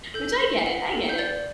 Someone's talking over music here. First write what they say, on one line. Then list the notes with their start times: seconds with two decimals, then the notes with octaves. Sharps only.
Which I get it, I get it.
0.14 A4 G6
0.40 A4
0.66 F#5
0.93 A4
1.09 G6
1.18 D5 A6